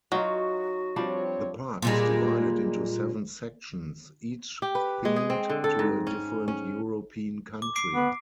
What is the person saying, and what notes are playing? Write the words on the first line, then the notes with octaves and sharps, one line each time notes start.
The park is divided into seven sections, each themed to a different European country.
F#3 D#4 F4 F#4
F3 G3 C4 D4 C#5
A#2 G3 G#3
G4
B4
G#3
G#4
C4
D3
A4
G#2
C#4
C#4
D6
D6 C7 D7
B3